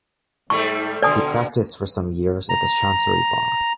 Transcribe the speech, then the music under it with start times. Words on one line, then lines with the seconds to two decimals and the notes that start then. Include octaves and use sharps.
He practiced for some years at the Chancery Bar.
0.50 G#2 G3 A3 C#6
1.02 B2 D3 D5 G#5 D#6
2.49 A#5